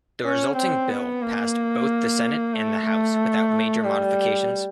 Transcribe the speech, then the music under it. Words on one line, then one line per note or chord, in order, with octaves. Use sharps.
The resulting bill passed both the Senate and the House without major modifications.
C#4
C4
B3
A#3
A3
A3
G3